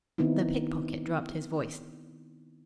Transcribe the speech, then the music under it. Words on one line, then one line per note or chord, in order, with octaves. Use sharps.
The pick-pocket dropped his voice.
D#3 B3 C4 D#4 E4